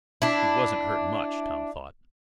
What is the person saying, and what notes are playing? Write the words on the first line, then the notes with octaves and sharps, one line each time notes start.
He wasn't hurt much, Tom thought.
D4 E4